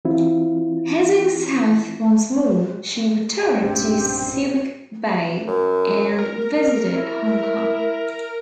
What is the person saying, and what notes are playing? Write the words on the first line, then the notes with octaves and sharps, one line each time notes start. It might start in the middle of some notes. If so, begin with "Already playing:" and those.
Heading south once more, she returned to Subic Bay and visited Hong Kong.
E3 C4 E4 F4
B1 G2 A#2 C4 C#4 G4
F#2
A#4
E4